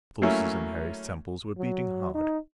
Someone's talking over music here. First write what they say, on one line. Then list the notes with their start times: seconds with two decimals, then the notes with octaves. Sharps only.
The pulses in Harry's temples were beating hard.
0.22 F#3 A3 A#3 C#4 E4
1.58 F#3
2.15 D#4